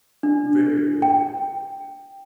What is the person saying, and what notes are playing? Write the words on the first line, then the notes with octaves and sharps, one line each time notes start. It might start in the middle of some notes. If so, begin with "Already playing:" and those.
Very cool.
D4
G5